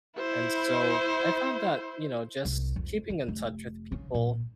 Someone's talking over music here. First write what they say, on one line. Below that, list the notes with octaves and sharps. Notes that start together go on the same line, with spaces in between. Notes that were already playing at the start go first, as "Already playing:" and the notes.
and so, I find that, you know, just keeping in touch with people,
E4 C5
C2
F2
C#3
F1
C#3
A#2